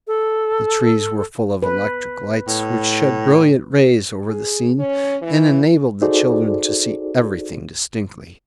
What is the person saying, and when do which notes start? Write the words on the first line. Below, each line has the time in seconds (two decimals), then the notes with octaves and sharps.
The trees were full of electric lights, which shed brilliant rays over the scene and enabled the children to see everything distinctly.
0.08 A4
1.63 B4
2.47 A2
4.29 G#4
4.79 C#4
5.22 E3
6.02 D#4 F#4 G#4 A4 C5 D5